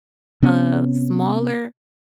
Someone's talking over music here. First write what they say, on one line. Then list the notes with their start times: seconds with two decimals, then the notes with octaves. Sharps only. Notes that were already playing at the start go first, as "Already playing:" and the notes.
a smaller
0.42 C3 B3 C#4